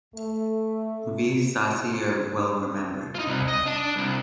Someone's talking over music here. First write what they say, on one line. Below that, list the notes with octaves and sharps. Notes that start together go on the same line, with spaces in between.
V. Sasi are well remembered.
A3
D#4 F4
C2
D#5
D4 A5
C2